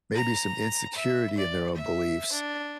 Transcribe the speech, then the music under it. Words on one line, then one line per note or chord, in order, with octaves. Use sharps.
maybe some insecurity in their own beliefs.
A#5
E5
D5
E5
D4